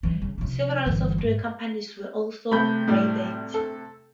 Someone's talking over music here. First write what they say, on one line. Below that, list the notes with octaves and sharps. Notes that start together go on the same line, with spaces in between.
Several software companies were also raided.
E3 G3
C#3
C3 F3
G1 E3
G#2
C3 A3 B5 G6
A2 G3
A4